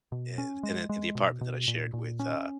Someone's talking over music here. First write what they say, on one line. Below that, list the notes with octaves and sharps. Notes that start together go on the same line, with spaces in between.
in the in the apartment that I shared with, uh,
B2
C#4
G#3
G#3
B2
B2
A#2
A#2
C#4